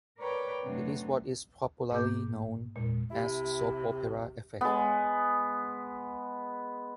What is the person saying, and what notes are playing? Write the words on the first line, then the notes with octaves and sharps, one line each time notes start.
It is what is popularly known as soap opera effect.
A#4 B4 C#5 D5 G5 A#5
F#2 C3 A3 B3 D4
G#2 A#3 G#4 D6 G6
E2 A#2 G#3
C3 E4 G4
G#3 B3